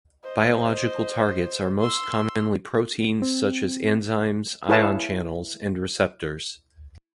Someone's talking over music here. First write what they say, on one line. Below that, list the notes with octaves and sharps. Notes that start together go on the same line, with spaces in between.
Biological targets are most commonly proteins such as enzymes, ion channels, and receptors.
C5 D#5
C6 E6
C4
E4 G#4 B4 C#5 F5 A5